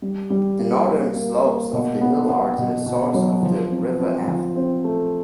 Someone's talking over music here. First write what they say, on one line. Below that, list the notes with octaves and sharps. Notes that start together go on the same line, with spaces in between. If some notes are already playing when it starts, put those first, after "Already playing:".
The northern slopes of the hill are the source of the River Afton.
G3
G3
A#3
A#3
A#3
A#3
B2
B3
B3
B2
B2
F#3
F3
C4
C4
F3
C4
A3